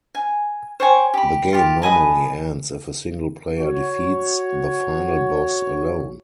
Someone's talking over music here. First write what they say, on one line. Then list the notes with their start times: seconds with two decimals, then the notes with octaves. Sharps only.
The game normally ends if a single player defeats the final boss alone.
0.15 G#5
0.80 C5 C#5 G5 G#5
1.14 G4 B5
1.53 F4 G4
1.82 B4 D#5 G#5 A5
3.58 F#4 C#5